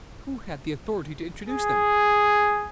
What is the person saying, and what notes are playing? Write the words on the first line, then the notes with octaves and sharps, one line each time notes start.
Who had the authority to introduce them?
G#4